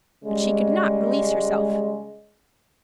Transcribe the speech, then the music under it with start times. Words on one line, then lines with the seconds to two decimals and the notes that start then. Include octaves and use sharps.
But she could not release herself.
0.25 C#3 G3 G#3